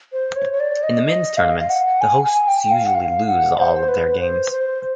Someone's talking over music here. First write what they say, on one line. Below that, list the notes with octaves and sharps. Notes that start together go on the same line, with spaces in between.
In the men's tournaments, the hosts usually lose all of their games.
C5
C#5
C#5
D5
D#5
D#5
F5
F5
F#5
G#5
G#5
G5
F5
F#5
F5
F#5
C5
B4
C5
C5